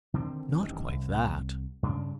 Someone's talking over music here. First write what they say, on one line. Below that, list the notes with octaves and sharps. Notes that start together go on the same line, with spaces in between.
"Not quite that!"
D3 D#3 C4
A1 G2 D#3
C2
G2 C#3 A3 D4